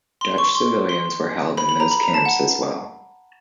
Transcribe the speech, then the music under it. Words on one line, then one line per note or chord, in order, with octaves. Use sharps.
Dutch civilians were held in those camps as well.
C6
C#6
C6
C6
B5
B5
A#5
B5
A#5
A5
F#5